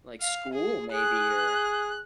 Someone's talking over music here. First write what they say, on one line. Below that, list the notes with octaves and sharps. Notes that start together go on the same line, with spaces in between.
Like, school maybe or
F5
G#4
G#4 F#6